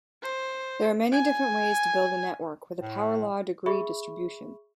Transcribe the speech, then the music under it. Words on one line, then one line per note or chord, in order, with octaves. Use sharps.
There are many different ways to build a network with a power-law degree distribution.
C5
G#5
A2
G#4 E5 B5 C#6